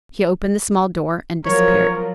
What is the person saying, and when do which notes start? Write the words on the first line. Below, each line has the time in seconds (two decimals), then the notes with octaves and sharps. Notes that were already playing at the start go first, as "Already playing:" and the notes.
He opened a small door and disappeared.
1.45 F3 F#3 A#4 C#5